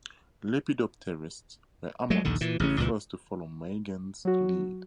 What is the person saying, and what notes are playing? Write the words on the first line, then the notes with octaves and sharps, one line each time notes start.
Lepidopterists were amongst the first to follow Meigen's lead.
F#3 G#3 A3
A#1 D#2 D3
A#2 E3
A1 C#3 F#3 C#4
C#2 A#2 E3
F#3 F#4